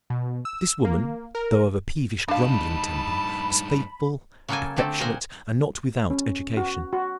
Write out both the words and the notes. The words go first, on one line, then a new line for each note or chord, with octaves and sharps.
This woman, though of a peevish, grumbling temper, was faithful, affectionate, and not without education.
B2
E6
A#3
A#4
G2 D4 D#4 F5 A5 B5
C#3 F#3 A#3 A4 G5 G#5
D3 A3 C4 A4
A#2 A#4 C5 D#5 F#5 G#5
C#4
F#4
F#4